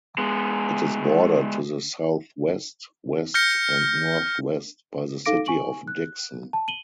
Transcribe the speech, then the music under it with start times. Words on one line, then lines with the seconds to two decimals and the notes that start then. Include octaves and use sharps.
It is bordered to the southwest, west, and northwest by the city of Dickson.
0.18 G#3 B3
3.34 F6 G6 A#6 C#7
5.26 D#4 A4 F5 D6 A#6 D7
5.46 G#5 C#6 D7 F#7
5.88 F#6
6.53 A5
6.68 D#7 F#7 G7